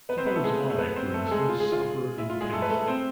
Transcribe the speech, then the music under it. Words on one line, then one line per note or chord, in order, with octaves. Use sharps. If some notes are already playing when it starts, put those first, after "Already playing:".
Suppose I, for instance, suffer intensely.
B3 B4
C4 C5
B3 B4
A3 A4
G#3 G#4
A3 A4
B3 B4
C4 C5
A3 A4
A4
G#3 G#4
F4
G#3 G#4
F4
E4
F4
G#3 G#4
A3 A4
B4
A3 A4
C4 C5